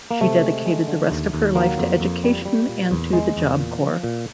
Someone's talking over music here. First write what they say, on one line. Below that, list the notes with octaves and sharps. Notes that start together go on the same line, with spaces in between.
She dedicated the rest of her life to education and to the Job Corps.
A#3
C3 A3
G#3
G#3
D3
D#2
D#2
F#3 A#3
F2
F2
G3
G3
A#2
E2
G#3
E2
A#2
F3
A#2